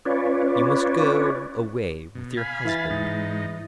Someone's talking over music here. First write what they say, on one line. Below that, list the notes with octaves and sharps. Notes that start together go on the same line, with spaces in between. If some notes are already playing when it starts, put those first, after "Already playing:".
You must go away with your Husband.'
C#4 F4 B4 C#5 D5
B2
F5 G#5 B5
E3 E4 A6
G#2 D#4